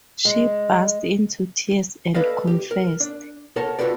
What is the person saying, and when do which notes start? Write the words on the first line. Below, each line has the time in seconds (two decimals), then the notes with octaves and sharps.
She burst into tears and confessed.
0.25 G#3
2.15 A4 B4 D5 D#5 F5
2.47 G4
2.71 A#4
3.00 D4
3.56 A4 A#4 C#5 F#5 A5
3.79 C4 F4 F#4 A4 B4 D5